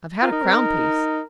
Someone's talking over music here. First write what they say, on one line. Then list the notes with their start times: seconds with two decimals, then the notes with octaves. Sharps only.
I've had a crown-piece.
0.22 F4 A#4
0.32 D#4
0.42 C4
0.54 D#4